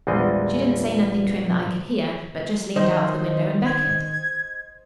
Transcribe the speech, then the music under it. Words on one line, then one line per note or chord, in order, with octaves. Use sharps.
She didn't say nothing to him that I could hear, but just leaned out of the window and beckoned.
A#1 E2 G3 G#3 C4 D#5
D#3 C5 D#5
G#6